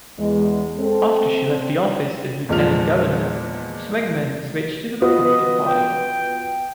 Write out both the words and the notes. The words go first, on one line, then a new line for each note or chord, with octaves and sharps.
After she left the office of lieutenant governor, Schwegmann switched to the Republican Party.
E2 G#3
C4 A4
E2 A#2 F3 G#3 F6 F7
B3 F4 F#4 D#5
G5